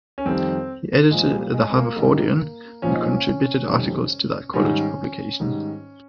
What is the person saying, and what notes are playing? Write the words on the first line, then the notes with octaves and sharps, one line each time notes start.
He edited "The Haverfordian" and contributed articles to that college publication.
C#4
F2 D#3 G3 C4
A#2 F3 G#3
G3
G#3
C4
A#3
G#2 D#3 G3 A#3
A#2 F3 C#4
D#4
C#4
F2 C3 D#3 G3
G#2 D#3 G3 C#4
G#2 D#3 G3